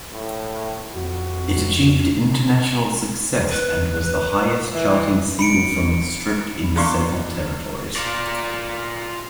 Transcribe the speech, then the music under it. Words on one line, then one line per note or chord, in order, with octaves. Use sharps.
It achieved international success and was the highest-charting single from "Stripped" in several territories.
A2
F2 F#4
B4
E3
B5 C#7 D7
E2 D4 F4 D5 C6 C#6
F4 D5